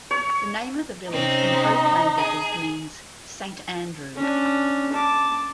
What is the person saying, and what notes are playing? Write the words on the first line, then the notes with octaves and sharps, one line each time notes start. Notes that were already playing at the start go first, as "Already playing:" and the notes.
The name of the village in both languages means "Saint Andrew".
C#5
C3 C4 C#4 D#4
G#4
C#4 D4
A5 D6